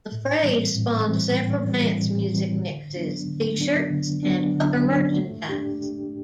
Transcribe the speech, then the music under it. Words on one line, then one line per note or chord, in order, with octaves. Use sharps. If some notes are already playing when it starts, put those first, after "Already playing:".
The phrase spawned several dance music mixes, T-shirts, and other merchandise.
A2
E3 G3 C4
A2
E3 G3 C4
A2
E3 G3 C4
A2
E3 G3 C4
D3
F#3 B3 D4
D3
F#3 B3 D4
D3
F#3 B3 D4
D3
F#3 B3 D4
A3
D4 G4
A3